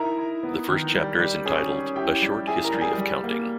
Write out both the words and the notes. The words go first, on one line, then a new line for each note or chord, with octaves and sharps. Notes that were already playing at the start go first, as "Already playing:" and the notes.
The first chapter is entitled "A Short History of Counting".
Already playing: D#4 E4 A#4 A#5
E4
B3
D#3
G3
G3
C#4 G#4 G#5
C#4
E4 G4 G5
G3
E4 G#4 G#5
A#4 A#5
G3
G#4 G#5
G3
A#3